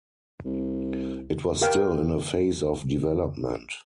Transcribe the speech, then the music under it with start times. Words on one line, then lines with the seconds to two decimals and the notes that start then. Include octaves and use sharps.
It was still in a phase of development.
0.45 C2
1.61 G4 A#4 B4 F5 G5